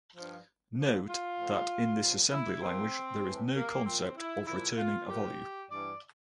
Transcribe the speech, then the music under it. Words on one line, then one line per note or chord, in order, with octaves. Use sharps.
Note that in this assembly language, there is no concept of returning a value.
G2 F3
G2 D3 F3
F4
A2 F3
A#2 F3
E4
A#2 F3 C4
A2 E3
A#3
A#2 F3 C4
E4
A#2 F3 E4
F4
A#2 F3 G4
G2 E3 D5